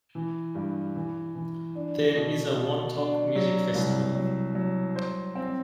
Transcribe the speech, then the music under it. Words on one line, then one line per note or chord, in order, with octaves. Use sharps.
There is a Wantok Music Festival.
E3
G2
E3
E3
D4
B2
B2
D4
F#3
C2
F#3
F#3
C5
C4